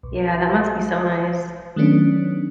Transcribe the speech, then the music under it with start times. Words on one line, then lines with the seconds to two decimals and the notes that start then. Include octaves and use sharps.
Yeah, that must be so nice.
0.03 B1
1.76 D#3 F#3 A3 B3 C#4 D4